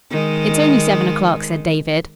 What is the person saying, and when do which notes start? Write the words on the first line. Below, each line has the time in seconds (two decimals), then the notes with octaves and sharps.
"It's only seven o'clock," said David.
0.11 D#3 G#3